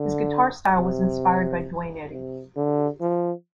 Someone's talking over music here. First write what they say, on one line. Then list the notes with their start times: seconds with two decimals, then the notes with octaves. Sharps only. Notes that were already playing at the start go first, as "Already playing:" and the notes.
His guitar style was inspired by Duane Eddy.
Already playing: D3
0.76 C3
2.11 C3
2.56 D3
3.01 F3